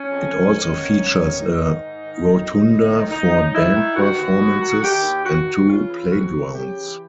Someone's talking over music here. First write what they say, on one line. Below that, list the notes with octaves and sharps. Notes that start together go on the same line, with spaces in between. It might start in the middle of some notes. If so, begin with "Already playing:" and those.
It also features a rotunda for band performances, and two playgrounds.
Already playing: C#4
F2
F2
D#3 C#4
G#2
G#2
D#3
D#3 D#4
G#2
G#2
D#3
D#3
F#2
F#2
D#3
D#3 D#4
F#2
F#2 E4
D#3
D#3 F#4
D#2
D#2
D#3
D#3 G4
D#2
D#2 F#4
D#3
C#3 F4
E3
F2 F#4
F2
C#3 G4
E3